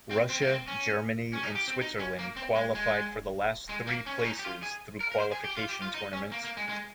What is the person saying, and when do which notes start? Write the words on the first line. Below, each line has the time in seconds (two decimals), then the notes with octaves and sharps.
Russia, Germany, and Switzerland qualified for the last three places through qualification tournaments.
0.11 C4
0.30 C4
0.42 A#3
0.49 C4
0.68 C#4
1.33 C#4
1.43 D#4
1.55 G4
1.68 C4
1.81 D#4
1.99 C#4
2.19 A#3
2.36 C4
2.55 G#3
2.75 G#3
3.69 G#3
3.87 A#3
4.06 C#4
4.19 C#4
4.25 D#4
4.39 G4
4.45 F4
4.63 G#4
5.00 A#4
5.12 A#4
5.20 C5
5.32 G#4
5.44 G4
5.57 F4
5.69 G4
5.82 F4
5.94 D#4
6.13 C#4
6.32 A#3
6.44 A#3
6.57 G#3
6.69 G#3